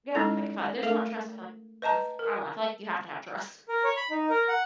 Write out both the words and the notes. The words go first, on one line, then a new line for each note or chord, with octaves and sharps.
Yeah, like if I if there's not trust, I feel like that's I don't know, I feel like you have to have trust.
G#3 C#4 D#4 E4 A4
A3 A4 A#4 F5
B4 D#5 A5 A#5
A#4
A#4
C#5
B5
D#4
A#4
F#5